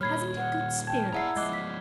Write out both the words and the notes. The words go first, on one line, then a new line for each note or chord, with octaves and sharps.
"Hasn't he good spirits?"
A#2 G3 C#5 B5 F6 G#6 C7
F#5
G5 A5 G#6
E4 G#4 D5 F#5 A#5 C7
F3 G#3 D#5 D6 F#6 G#6 C7 G7
B6